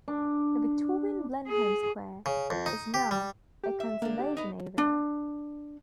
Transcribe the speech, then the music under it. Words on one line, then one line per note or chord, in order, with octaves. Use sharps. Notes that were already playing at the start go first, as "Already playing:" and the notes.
The Victorian Blenheim Square is now a Conservation Area.
D4
G#4
C#3
F2
D#4
G4
G3
G4
E5
D3 A#3 D4
G4
B3 D#4 D#5
D4